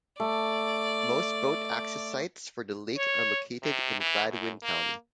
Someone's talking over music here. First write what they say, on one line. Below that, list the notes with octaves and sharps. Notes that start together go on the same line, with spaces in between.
Most boat access sites for the lake are located in Gladwin County.
A3 D5
C#5
C3
E3
F#2
A#3